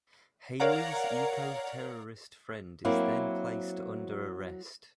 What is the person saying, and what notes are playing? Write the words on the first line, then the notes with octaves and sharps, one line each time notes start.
Hayley's eco-terrorist friend is then placed under arrest.
A#4 C#5 D5 F5 F#5 A#5
F#3 A#3 C4 E4